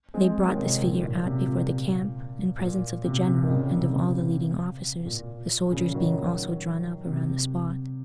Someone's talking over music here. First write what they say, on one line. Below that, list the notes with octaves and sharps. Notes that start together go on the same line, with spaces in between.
They brought this figure out before the camp, in presence of the general and of all the leading officers, the soldiers being also drawn up around the spot.
G#3 C4
D#3 F#3
C3 D#3
A#2
A#2
C3
A#2
A#2
C3
C3
D#3
A#2 C#3
C3
A#2
A#2 C#3
D#3 F#3
C3